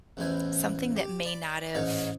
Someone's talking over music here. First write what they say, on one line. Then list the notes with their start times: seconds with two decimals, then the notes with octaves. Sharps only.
something that may not have
0.17 A1 E2 A2 E3 C5 G#5
0.96 G4
1.25 D5 B5 D6
1.74 A1 G#2 D#4 C#5 F5